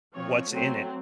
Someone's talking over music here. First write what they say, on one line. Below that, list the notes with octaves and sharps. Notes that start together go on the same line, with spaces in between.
what's in it.
F3 C4 C#5
F#3 A3 C4